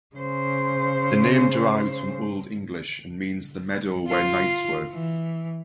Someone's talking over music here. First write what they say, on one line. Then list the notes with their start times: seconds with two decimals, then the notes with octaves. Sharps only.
The name derives from Old English and means the meadow where knights were.
0.16 C#3 C5
4.08 F4
4.91 E3